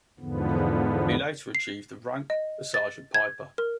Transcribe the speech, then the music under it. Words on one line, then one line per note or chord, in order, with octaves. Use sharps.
He later achieved the rank of sergeant-piper.
E2 G#2 D3 F3 B3
C7
D#5
A6
G#6
A#4